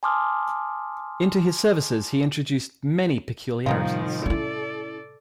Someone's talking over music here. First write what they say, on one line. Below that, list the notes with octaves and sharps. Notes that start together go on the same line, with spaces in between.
Into his services he introduced many peculiarities.
G#5 A5 C6 D6 D#6 F6
A2 C3 D#3 F3 G3 A#3 D#4 F4
C#4 E4 A4 D5